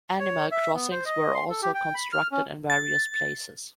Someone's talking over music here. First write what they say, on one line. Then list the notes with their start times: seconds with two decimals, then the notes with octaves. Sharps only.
Animal crossings were also constructed in various places.
0.20 C#5
0.52 E5
0.75 B3
0.91 C5
1.05 D#5
1.35 C6
1.50 A4
1.62 G4
1.74 G5
1.95 B5
2.12 F6
2.32 C#4
2.70 A6